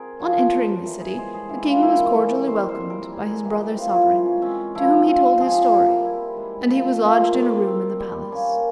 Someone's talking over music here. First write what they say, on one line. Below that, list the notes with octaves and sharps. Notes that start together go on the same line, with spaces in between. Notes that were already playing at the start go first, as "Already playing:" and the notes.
On entering the city, the King was cordially welcomed by his brother sovereign, to whom he told his story; and he was lodged in a room in the palace.
Already playing: C4 G#4 A#4
F3 C#5
G3
A#4
E3
G#4
G#3 C5
G#4
E3 G4
F4
A#3 E4
G3 C#4
C4 C5
C5
G3
A#4
G3 G#4
E3 G4
C4 F4
E4 F4
G#3 F4
C#4
C4 C#4
F3 E4
C4 F4
F3 G#4
G4
F4
A#3 E4
G3 E4
G#3
F3
A#3 F4
G3 G4
C4
G3
A#3 C#4